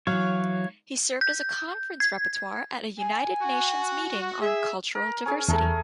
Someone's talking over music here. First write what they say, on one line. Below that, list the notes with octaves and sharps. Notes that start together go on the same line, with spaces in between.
He served as a conference rapporteur at a United Nations meeting on cultural diversity.
E3 F#3 C#5 F5
G6
G#6
G#5
F#4
G#4 E5
A#4
C#4 G#4
E2 A3 G#4 A#4